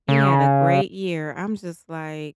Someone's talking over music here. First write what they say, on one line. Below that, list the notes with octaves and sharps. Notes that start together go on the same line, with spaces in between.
He had a great year. I’m just like,
C#3